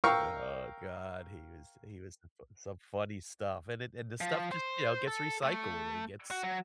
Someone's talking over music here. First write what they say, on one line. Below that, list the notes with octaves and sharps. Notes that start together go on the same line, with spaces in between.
Oh god. He was he was th some funny stuff. And it and the stuff just, you know, gets recycled. It gets
A#4 F5 G5 A#5 C#6 E6
F3
C5
A4
A3
F#4
F#3